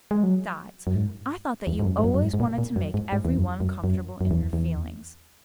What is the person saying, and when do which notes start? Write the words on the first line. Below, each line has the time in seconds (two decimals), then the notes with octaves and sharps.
Besides I thought that you always wanted to make every one comfortable in her feelings.
0.11 G#3
0.23 F#3
0.87 F#2
0.95 G#2
1.67 E2
1.80 G#2
1.85 F#2
1.99 G#2
2.04 F#2
2.14 F#2
2.22 G#2
2.34 G#2
2.40 A#2
2.58 A#2
2.76 F#2
2.94 G#2
3.12 G#2
3.25 E2
3.37 F#2
3.60 F#2
3.84 F#2
4.21 F#2
4.31 E2
4.53 E2